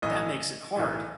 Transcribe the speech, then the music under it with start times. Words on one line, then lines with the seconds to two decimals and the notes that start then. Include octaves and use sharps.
That makes it hard!
0.02 B1 A2 E3 D#5
0.75 B1 A2 E3